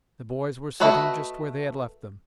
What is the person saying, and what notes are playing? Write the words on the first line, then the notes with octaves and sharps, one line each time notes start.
The boys were sitting just where they had left them.
A3 F#4 B4 D#5 E5